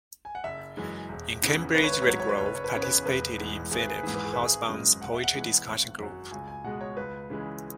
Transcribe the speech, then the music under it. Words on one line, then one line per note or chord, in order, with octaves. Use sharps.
In Cambridge Redgrove participated in Philip Hobsbaum's poetry discussion group.
G#5
F#5
F#1 E5
F#2 E3 G#3
E1
E2 C#3 E3
G#1 B4
C#5
B4
C#5
G#2 F#3 B4
C#5
B4
F#1 C#5
B4
C#5
B4
E2 C#3 C#5
B4
E1 B4
E2 E3 G#3
G#1 G#4
B4
G#4
B4
G#2 E3 G#4
B4
G#4
G#1 B4
G#4
F#2 C#3 G#3
E1 F#5
E5
F#5
E2 E3 G#3
G#1
F#2 F#3
C#2 G#5
G#5
B2 G#3 F#5
C#5
C#2 B4
C#3 E3 G#3